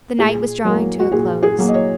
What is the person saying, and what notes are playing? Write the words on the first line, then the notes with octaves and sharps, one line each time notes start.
The night was drawing to a close.
A#2 G#4
F#3 A#3 A#4
F#4
A#2 G#4
G#4
F#3 A#3
D#5
C#5